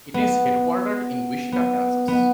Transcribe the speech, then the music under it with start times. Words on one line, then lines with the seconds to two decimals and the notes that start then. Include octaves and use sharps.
It is headquartered in Wichita, Kansas.
0.14 B3
1.52 B3
2.08 B3